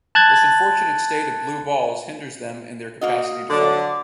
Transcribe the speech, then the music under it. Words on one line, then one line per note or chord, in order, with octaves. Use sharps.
This unfortunate state of "blue balls" hinders them in their capacity to fight.
A5 F#6 G#6 A6
A#3 F#4 D#5
D3 F#3 D6